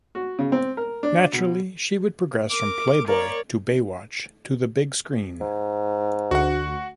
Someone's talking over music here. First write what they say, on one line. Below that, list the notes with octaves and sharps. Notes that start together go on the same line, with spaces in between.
Naturally, she would progress from Playboy to Baywatch to the big screen.
F#4
C#3
C4
A#4
D4
B2
A#4 D6
A#3 A#4 C#5 D5
G#2
D2 F#4 F#5